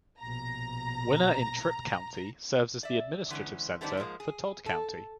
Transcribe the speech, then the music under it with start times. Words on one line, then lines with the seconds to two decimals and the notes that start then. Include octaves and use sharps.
Winner in Tripp County serves as the administrative center for Todd County.
0.22 A#1 B2 A#5
2.83 D5 E5
3.30 D3 E3 G#3 C#4
3.81 D3 G3 B3 C4 D4 D#4
3.97 G#2 F3 G#3 A#3
4.20 G#4
4.66 A4